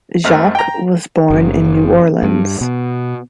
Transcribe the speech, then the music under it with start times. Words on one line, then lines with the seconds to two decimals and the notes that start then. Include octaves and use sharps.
Jacques was born in New Orleans.
0.24 F#2 G#3 A3 C4 F6 F#6
0.55 G5 A#5
1.30 F#1
2.23 G2
2.61 B2